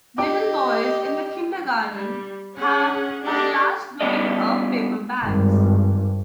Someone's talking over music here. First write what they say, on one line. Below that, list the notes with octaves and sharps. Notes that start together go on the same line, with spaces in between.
Little boys in the kindergarten have a blast blowing up paper bags.
D4 G4 D#5 G5 D6
G3
C#4 G#4 F#5
D4 G4 A4 D#5 F#5
G3 B3 C#4 G4 D5 D#5
G#1 G2